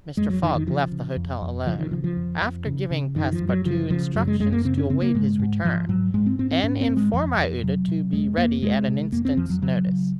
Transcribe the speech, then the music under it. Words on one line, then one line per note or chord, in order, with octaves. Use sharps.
Mr. Fogg left the hotel alone, after giving Passepartout instructions to await his return, and inform Aouda to be ready at an instant's notice.
F2 G#3
F#3
F2 D#3
D#3
C#3 F3
C#3
F2
F2
C#3 F3
D#3
C#3 F3
F3
F2
F2
C#3
C#3
F#2 D#3
F3
F#2
F#3
C#3 F3
C#3 F3
F#2 F#3
G#3
F#2 G#3
A#3
C#3 C4
C#4
C#3 C4
A#3
G#2 G#3
G#2
G#2 F3
G#2 F#3
G#2 G#3
C4
G#2 C4
C4
G#2 C#4
C4
G#2
G#3
F2 F3
F2
C3 F#3
C3
F2 G#3
F2 A#3
C3 G#3
C3
F2 A#3
C4
F2 F3
F#3
C#3 F#3
C#3